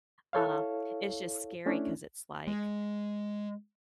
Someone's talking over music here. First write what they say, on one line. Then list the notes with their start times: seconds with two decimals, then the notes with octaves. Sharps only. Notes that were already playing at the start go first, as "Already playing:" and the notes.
um, it's just scary 'cause it's, like,
0.33 E4 A4 C#5 F5
1.66 A3 C#4 D4 E4
2.47 G#3